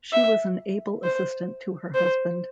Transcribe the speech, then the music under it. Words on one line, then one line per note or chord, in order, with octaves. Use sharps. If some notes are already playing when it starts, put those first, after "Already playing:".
She was an able assistant to her husband.
E5
C5
C5